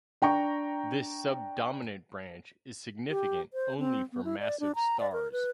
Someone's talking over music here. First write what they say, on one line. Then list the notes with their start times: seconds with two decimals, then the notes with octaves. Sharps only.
This subdominant branch is significant only for massive stars.
0.22 D4 G5 A#5 C#6
3.09 G4
3.53 C5
3.78 C4
4.12 B3
4.25 E4
4.40 D5
4.60 D4
4.75 A#5
5.00 D5
5.12 A#4
5.32 B4